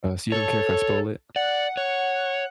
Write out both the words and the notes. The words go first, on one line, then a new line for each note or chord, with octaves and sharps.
Uh, so you don't care if I spoil it?
A4 C#5
D5 F#5
C#5